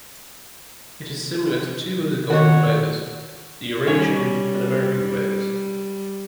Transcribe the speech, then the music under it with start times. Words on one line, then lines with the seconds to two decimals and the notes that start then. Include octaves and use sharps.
It is similar to two other golden plovers: the Eurasian and American plovers.
2.30 D#3 F#4 C#5 D#5
3.87 G3 C#4 C#5